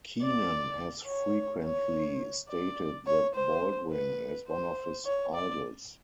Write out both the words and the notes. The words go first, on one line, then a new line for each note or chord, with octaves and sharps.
Kenan has frequently stated that Baldwin is one of his idols.
D5
C#5
C#5
D5
C#5
C5
B4
C5
C#5
D5